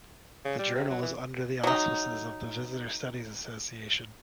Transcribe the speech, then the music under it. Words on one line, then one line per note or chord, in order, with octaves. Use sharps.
The journal is under the auspices of the Visitor Studies Association.
C#3
G3
C3
F#3
E3
F#3 D#4